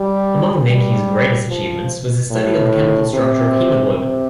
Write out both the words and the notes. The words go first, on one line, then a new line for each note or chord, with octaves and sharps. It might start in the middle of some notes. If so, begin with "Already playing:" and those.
Among Nencki's greatest achievements was his study on the chemical structure of haemoglobin.
Already playing: G3
G3
F3
A2
C3
C3